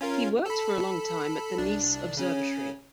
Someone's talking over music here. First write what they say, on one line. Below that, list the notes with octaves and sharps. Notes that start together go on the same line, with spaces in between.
He worked for a long time at the Nice Observatory.
C#4 F4 A#4
A4 B5
C2 D4
C#3 C#4